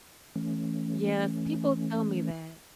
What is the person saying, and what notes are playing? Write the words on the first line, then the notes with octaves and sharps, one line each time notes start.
Yes, people tell me that.
E3 A3 C#4